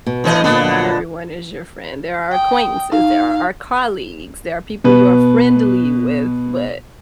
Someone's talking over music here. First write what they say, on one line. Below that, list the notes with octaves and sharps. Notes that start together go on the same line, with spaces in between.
yeah, not everyone is your friend. There are acquaintances, there are colleagues, there are people you are friendly with, but
B2
A2 E3 D#5
A#2 D3 F3 B3
G5 D#6
D#4 F5
B2 B4